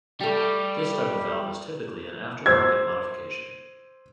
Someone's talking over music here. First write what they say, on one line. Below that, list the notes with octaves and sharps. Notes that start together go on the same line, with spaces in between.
This type of valve is typically an aftermarket modification.
G3 A3 G4
C5 E6 G#6